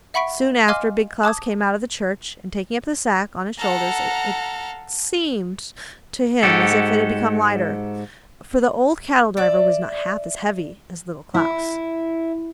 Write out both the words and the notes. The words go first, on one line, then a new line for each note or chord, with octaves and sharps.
Soon after Big Klaus came out of the church, and taking up the sack on his shoulders it seemed to him as if it had become lighter; for the old cattle-driver was not half as heavy as Little Klaus.
E5 F#5 B5 C#6 B6 D7
D#5 F5 G#5 C6 D6 F6
A5 D6 D#6 G#6
A4 F5 F#5 A#5
G#2 F#4 G4 A4
D5 E5
E4